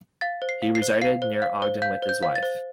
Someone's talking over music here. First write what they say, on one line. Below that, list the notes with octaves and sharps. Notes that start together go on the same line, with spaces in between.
He resided near Ogden with his wife.
F5 A6
C5
C7
F5
C7
C5
F5 C7
C5
F5
C5
F5 G6
C5
G6
F5
A6
C5